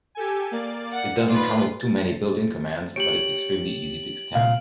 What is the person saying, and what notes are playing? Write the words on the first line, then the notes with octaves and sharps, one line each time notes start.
It doesn't come with too many built-in commands, but it's extremely easy to extend.
G4 A4 G#5
A#3 D5 A6
F#5
D#3 F4 B4 D5
A6
G4 C#5 D7 F#7
A#2 F5